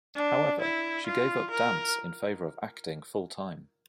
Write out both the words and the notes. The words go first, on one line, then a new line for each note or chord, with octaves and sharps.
However, she gave up dance in favor of acting full-time.
D4
E4
F4
A#4